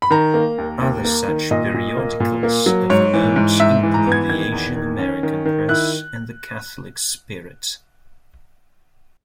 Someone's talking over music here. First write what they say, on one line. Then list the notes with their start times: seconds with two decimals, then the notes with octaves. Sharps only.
Other such periodicals of note include the "Asian American Press" and "The Catholic Spirit".
0.02 B5
0.11 D#3 A#5
0.34 A#3
0.58 D#2
0.81 D#2
1.05 A#3
1.28 D#3
1.51 A#2 D#5
1.74 A#2
1.97 A#3
2.20 A#2
2.43 A#3
2.66 F#3
2.90 G#2 C#5
3.14 E3
3.36 G#2
3.60 G#2 E5
3.83 E3
3.94 A#5
4.07 B3
4.12 G#6
4.30 D#3 G#6
4.52 E2
4.76 D#3
4.99 C#4
5.23 D#3
5.46 D#3
5.68 E4 F#6